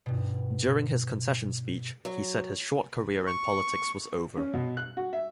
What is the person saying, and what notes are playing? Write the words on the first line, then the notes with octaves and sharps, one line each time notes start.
During his concession speech, he said his short career in politics was over.
G2 B2
F#3
C#6
C#4
B2
F#6
F#4
E5